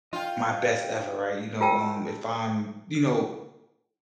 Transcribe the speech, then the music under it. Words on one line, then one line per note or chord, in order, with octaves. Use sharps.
my best ever, right? You know? Um, if I'm, you know,
F4 D#5 G5
E4 F4 A#4 G5 A5 E6